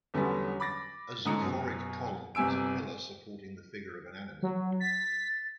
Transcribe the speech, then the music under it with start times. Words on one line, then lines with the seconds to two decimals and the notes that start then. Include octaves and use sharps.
A zoophoric column is a pillar supporting the figure of an animal.
0.14 E2 D3 F#3 G3 B3 C#4
0.60 B5 D6 A6 A#6
1.25 G#2 D3 C#4 A#5 D#6 C#7
1.42 F#2 B2
2.35 G1 C3 G#5 E6 D7
4.43 F#3
4.80 A6 B6